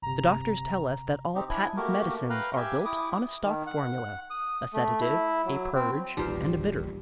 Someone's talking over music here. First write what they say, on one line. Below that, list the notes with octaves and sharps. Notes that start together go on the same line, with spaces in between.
The doctors tell us that all patent medicines are built on a stock formula--a sedative, a purge, and a bitter.
G1 C3 A#5
C4 D#4 G4
D4 E4 G#5
A3 A#3 F#4 G4 A#4
B4 F5 G5 A#5 F6 F#6
G4 E5 G5 G#5
E4 D6 D#6
D#3
F#5
D#6
A3
E4
F#3
C4
D1 A1 D#2 G3 D#4 F4 B4 C5